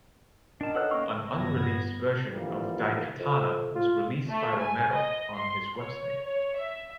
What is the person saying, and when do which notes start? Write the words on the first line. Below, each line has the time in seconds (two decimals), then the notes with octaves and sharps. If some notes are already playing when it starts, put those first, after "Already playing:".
An unreleased version of "Daikatana" was released by Romero on his website.
0.61 D#3 D4 A5
0.75 A4 B4 C#5 F#5 E6 F#6
0.91 A#3 C#4 F5 C#6
1.31 G1 B3 G#6 A#6
2.32 D3 E3 F3 G3 A#3
3.19 F2
3.75 F4
4.31 A3
4.60 G#5
4.96 D#5
5.37 C6
5.79 C#5
6.26 C#5
6.58 E5